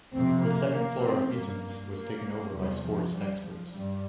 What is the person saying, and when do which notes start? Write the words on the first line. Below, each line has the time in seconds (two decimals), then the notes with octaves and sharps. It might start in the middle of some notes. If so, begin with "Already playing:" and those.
The second floor of Eaton's was taken over by Sports Experts.
0.13 F2 C3 C4
0.43 A#3
0.73 A#3
1.03 C4
1.33 G2 A#3
1.93 A#3
2.52 E2 C3 G3
2.82 F3
3.12 G3
3.42 F3
3.71 G2 G3